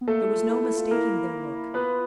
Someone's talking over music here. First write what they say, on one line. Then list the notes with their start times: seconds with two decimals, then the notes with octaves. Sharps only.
There was no mistaking their look.
0.01 B3
0.08 A3 A#3 A4
0.22 E4
0.35 F4
0.49 E4
0.64 E4
0.77 F4
0.91 A#3 E4 A#4
1.74 B3 F4 B4